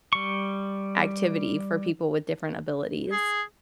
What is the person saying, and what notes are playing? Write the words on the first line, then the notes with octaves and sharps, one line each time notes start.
activity for people with different abilities.
G3 C#6
G#4